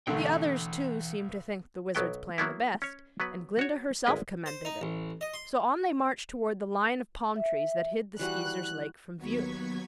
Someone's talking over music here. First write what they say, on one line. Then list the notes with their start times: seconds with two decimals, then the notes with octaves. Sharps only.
The others, too, seemed to think the Wizard's plan the best, and Glinda herself commended it, so on they marched toward the line of palm trees that hid the Skeezers' lake from view.
0.07 B1 D3 E3 A3 G5
1.95 B1 F#3 B3 G5
2.38 F#3 A#3 B3 E4
2.82 C#4 C#5
3.20 F#3 B3 B4
3.59 F#4 C#5
4.06 G#1 D2 G#3 E4 B4 D#5
4.46 C5
4.65 D#4
4.81 A1
5.21 D#5
5.34 C6
7.36 E5
8.19 E3 G3 F#4 F#6
9.16 D#2 F#3 B3 C#6 G#6 B6